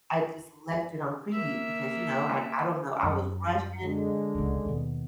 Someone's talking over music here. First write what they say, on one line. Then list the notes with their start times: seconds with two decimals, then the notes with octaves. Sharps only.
I just left it on preheat because, you know, I I don't know, I was rushing,
1.32 A#3 E5
3.03 F#2 F#3
3.85 D3 G#3
4.35 D1 C#2
4.65 D#2 B2